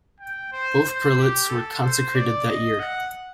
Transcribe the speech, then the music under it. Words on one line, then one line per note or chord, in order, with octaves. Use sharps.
Both prelates were consecrated that year.
G5
C5
C5
G4
A4
C5
D5
D#5
F#5